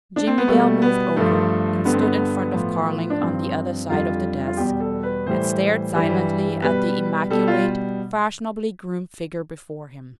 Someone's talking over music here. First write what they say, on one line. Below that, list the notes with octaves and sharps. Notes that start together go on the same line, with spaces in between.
Jimmie Dale moved over, and stood in front of Carling on the other side of the desk--and stared silently at the immaculate, fashionably groomed figure before him.
D4
C4
B3
B2 G3 A3
B3
G2 F3 A3
G2 D3 G3 B3
C4
B3
A2 F3
D4
G2 F3 C4
F2 D3 G3 F4
F4
E2 B2 G3 G4
A4
B4
A2 E3 G3 C5
G2 E3 G3
B2 G3 B4
B2 G3 A4
F4